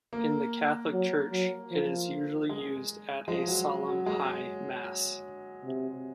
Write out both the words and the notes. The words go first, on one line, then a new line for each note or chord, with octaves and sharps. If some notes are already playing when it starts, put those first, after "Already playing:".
In the Catholic Church, it is usually used at a Solemn High Mass.
A#3
F#3
F#3
F3
G#3
F3 G#3
F#3
F#3
G#3
C3